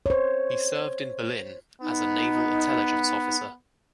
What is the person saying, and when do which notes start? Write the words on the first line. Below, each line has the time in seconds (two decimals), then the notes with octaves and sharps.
He served in Berlin as a naval intelligence officer.
0.06 C5 C#5
1.82 B3 D#4